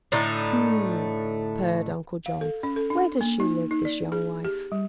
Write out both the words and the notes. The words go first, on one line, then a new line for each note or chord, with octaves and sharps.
"M-m," purred Uncle John; "where does she live, this young wife?"
A2 D3 A3 D#4
F5
A4
C#4
A4
D4
A#3
D#4
D#4
D5
G#4
G4
G3